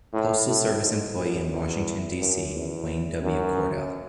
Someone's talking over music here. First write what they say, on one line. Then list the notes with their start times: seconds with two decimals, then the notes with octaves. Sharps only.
Postal Service employee in Washington D. C., Wayne W. Cordell.
0.13 A2
0.47 A2
0.81 G#2
1.17 F#2
1.51 E2
2.19 F#2
2.53 E2
3.22 F#2